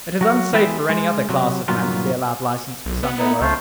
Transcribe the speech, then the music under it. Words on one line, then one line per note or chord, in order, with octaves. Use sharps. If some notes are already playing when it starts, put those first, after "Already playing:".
It is unsafe for any other class of men to be allowed license for Sunday work.
F#3 F#4
E3 G#3 B3 B4 E5 G5
G#3
C3 F#3
G2 A#2 D#3 F#3 B3 F4
B1
B3 F#5
D#4 E4
C#2 A3 F4 C5